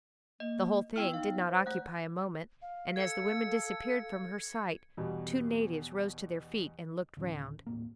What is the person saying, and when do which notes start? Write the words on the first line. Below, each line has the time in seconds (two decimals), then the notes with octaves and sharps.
The whole thing did not occupy a moment, and as the women disappeared from her sight, two natives rose to their feet and looked round.
0.40 A#3 D#5
0.96 B3 E4 G5 F6
1.14 D#4 F5
1.46 C5
1.66 A3 F#5 F#6
2.62 F5
2.96 A4 G#6 C#7
4.97 E2 B2 G3
7.17 D2 A2 D#3 C#4
7.66 D#1 A1 A#3